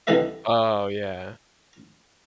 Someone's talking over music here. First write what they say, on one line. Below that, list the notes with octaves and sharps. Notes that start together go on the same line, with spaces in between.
Oh, yeah.
C2 D3 E3 B4 D#5 E5